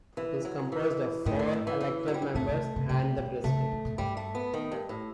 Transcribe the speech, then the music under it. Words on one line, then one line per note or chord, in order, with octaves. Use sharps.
It is composed of four elected members and the President.
E3
F#3
E3
A2 D#3
E3
E3
E3
E3
F#3
G3
F#3
B2 A3
C3
C3
C3 G3
B2
C3 A3
C3
D#3
B2
G2 G3
A3
B3
D#3
G2
A2